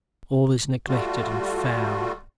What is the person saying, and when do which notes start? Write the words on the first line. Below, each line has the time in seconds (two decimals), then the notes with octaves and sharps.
All is neglected and foul.
0.88 G3 A3 F4 F#4